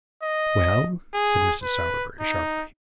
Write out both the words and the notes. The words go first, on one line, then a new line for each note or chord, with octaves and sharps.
'Well,' said Mrs. Sowerberry, sharply.
D#5
G#4
B4
D#4